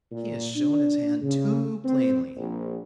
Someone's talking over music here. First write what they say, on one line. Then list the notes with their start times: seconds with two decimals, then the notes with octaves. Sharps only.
He has shown his hand too plainly.
0.11 A#2
0.55 D4
1.22 C#3
1.84 C4
2.36 A#1